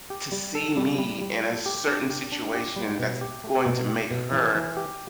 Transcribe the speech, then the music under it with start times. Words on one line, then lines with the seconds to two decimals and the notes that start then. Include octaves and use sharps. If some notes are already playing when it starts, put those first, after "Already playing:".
to see me in a certain situation that's going to make her
0.10 G4
0.32 G3
0.55 A4
0.77 G3
0.98 G3
1.22 G3
1.43 A4
1.66 G4
1.88 D4
2.10 G4
2.32 D4
2.54 G4
2.76 G3
2.99 B2
3.21 G4
3.44 A3
3.66 B2
3.88 G4
4.11 B2
4.32 E3
4.55 E3
4.77 G4